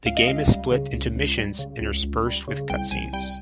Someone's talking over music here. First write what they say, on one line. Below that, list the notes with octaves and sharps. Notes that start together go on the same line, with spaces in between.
The game is split into missions interspersed with cutscenes.
C#2 F5
D#5
C#2 F5
G3
C#3
C#2
C#2
G3
C#3
C#2
C#2
G3
C#3
C2 G5
C2 G#5
G3 G5